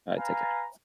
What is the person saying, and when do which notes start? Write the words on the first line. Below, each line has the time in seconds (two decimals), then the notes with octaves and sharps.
All right, take care.
0.17 B4 F5 G#5 A#5